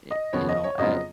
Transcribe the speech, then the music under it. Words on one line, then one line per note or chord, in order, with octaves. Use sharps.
y you know, I
D#5
D#2 C#3 F3 B3 C#5
D#5
C#5
F2 C#3 F#3 B3 F4 D#5